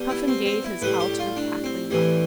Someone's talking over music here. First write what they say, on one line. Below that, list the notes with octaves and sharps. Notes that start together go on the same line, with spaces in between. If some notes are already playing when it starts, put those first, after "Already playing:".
Puffin gave his alto cackling laugh.
Already playing: B2 G3
E4
C4
C4
E4
A2 G3 B4
G4
F4
D4
C4
A2 E3 G3